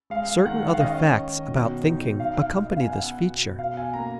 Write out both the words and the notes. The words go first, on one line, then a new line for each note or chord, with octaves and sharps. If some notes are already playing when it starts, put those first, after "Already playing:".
Certain other facts about thinking accompany this feature.
G#3 F5
D#3 F#5
F5
C#4 D#5
D#3
B2
D#4
B2 F5
F5
B3 D#5
F5
G#5
B3 F#5
B2
B2 F5
G#5
A#3 A#5